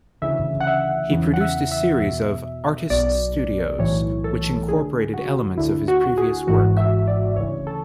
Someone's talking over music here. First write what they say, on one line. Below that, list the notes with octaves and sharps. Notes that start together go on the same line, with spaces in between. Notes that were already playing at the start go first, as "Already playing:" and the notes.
He produced a series of "Artists Studios" which incorporated elements of his previous work.
D2 C#3 E3 E5
F#5
E5
E2 C#3 E3
F#5
E5
E5
E2 B2 E5
B1 B2 D5
B1 A2 E3 C#5
A4
D2 D3 G#4
F#4
D2 D3 E4
F#4
G#4
G#1 G#2 E3 F#4
E5
D5
D2 C#3 E3 C#5
A4